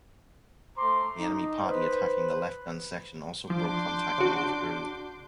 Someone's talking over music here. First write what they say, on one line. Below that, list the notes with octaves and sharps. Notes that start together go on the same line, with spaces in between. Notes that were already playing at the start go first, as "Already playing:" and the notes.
The enemy party attacking the left gun section also broke contact and withdrew.
A3 C5 A#5 C6 D6
D#4
B4 C5
F3 D4 C6 D6 G6
C#3 F#4